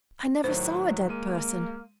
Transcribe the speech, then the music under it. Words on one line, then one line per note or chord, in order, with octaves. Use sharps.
'I never saw a dead person.
A2 D#3 F#3 C5
G#3 A#3 D#7